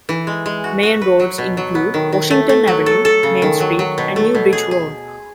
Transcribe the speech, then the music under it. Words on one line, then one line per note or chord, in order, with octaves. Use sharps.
Main roads include Washington Avenue, Main Street and New Bridge Road.
E3
G#3
G#3
F#4
F#4
B4
F#3
B2
F#3
B3
D#3
D#3
A3
A3
F#3
A4
A4
C#3
D#3
F#3
F#3
B2
A3
B2
G#4
G#4